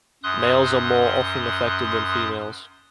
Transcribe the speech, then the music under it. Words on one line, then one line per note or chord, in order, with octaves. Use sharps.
Males are more often affected than females.
F#2 C6 D#6 F#6